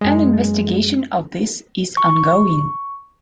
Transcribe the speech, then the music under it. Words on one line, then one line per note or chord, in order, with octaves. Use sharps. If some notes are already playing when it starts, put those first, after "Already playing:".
An investigation of this is ongoing.
F#2 G#3
C#6